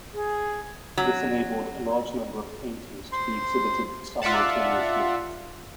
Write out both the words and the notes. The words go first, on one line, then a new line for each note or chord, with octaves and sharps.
This enabled a large number of paintings to be exhibited simultaneously.
G#4
F#3
C5 C6
F4 D5 E5 F#5 A5